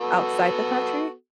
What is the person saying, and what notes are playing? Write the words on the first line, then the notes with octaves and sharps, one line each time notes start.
outside the country?
B3 F#4 A4